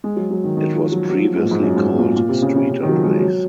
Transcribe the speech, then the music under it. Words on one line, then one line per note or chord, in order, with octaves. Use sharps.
It was previously called Streeter Place.
G#3
F#3
F#3
D#3
D#3
F3
F#3
F#3
F3
F#3
G#2
A#2
G#2
F#2
G#2
G#2
A#2
G#2
A#2
C3
C#3
C#3
C#3
D#3
F#3
F3
G#3
F#3
F#3